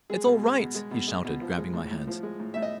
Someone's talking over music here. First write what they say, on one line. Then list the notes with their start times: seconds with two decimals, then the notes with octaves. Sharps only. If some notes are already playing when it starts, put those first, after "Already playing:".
"It's all right!" he shouted, grabbing my hands.
0.10 G#3 G#4
0.26 B2
0.43 G#3
0.59 B2
0.75 G#3
0.91 B2
1.07 G#3
1.24 B2
1.41 F3
1.57 G#3
1.73 A2
1.91 A2
2.07 F3
2.23 G#3
2.40 A2
2.54 A2 E5
2.62 D#5